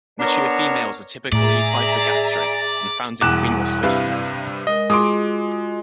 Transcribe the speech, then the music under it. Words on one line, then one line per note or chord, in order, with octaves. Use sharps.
Mature females are typically physogastric and found in queenless host nests.
B3 D4 A#4 C#5 A#5
A2 G#4 D5 E5 A#5
E1 E2 G3 E4 D6 F#6 E7
G2 C3 B4 E5 F5
G#3 A#4 D#5
G#3 F4 F#4 D#5 C6 D6 D#6 D7